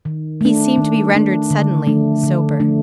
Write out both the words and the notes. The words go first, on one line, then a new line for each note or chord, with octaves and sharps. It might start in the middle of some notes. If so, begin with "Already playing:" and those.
He seemed to be rendered suddenly sober.
D#3
A3 D4
D#3
A3 D4
D3
F3 A3 D4
D3
F3 A3 D4